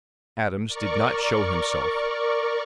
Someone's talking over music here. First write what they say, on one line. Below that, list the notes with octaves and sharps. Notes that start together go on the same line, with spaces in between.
Adams did not show himself.
A#4 D5 C#6